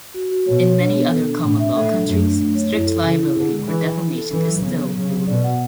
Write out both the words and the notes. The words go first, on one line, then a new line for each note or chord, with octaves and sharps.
In many other common law countries, strict liability for defamation is still the rule.
F#4
F#4
B2 C#5
C#5
D4
B3
A4
D4
A2 D4
E5
A2 A4
D4
F#2 A3
D4
F#2 A3
C#5
F#2 E4
A4
C#3 E4
E4
D3 G#4
G#3
E3 G#4
E4
E4
A4
E3 A4
F#3
C#3 B3
F#3
C#3 F#3
F#3
B2 D5
F#5